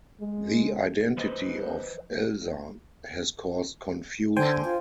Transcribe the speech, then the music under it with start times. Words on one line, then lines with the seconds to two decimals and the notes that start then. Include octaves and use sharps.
The identity of "Elsa" has caused confusion.
0.20 G#3
1.17 F3 B4 C5 D#5
4.37 D3 C5 G5 G#5
4.64 F4